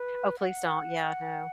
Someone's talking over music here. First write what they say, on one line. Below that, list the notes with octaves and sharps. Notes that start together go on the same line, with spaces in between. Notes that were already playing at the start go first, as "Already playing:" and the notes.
Oh, please don't, yeah, no.
Already playing: B4
F#5